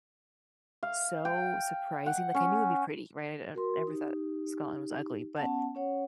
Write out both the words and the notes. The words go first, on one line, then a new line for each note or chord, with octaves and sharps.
so surprising, like, I knew it'd be pretty, right? I n never thought Scotland was ugly, but
F5
G5
F#5
C#4
F#4 A#4 C6
D#4 G4
B3 C#4 F#5 A5
C#4 C#5 F#5